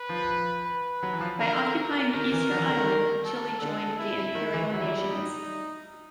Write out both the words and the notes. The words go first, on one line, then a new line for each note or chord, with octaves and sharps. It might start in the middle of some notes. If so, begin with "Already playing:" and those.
By occupying Easter Island, Chile joined the imperial nations.
Already playing: B4
F3
B4
F#3
E3
F3
D3 A#4
A#4
D#3 A#4
E3
F#3
E3
D3
D#3
A4
D3 A4
E4
D#3
E3
F#3 E4
G3
G3
D#4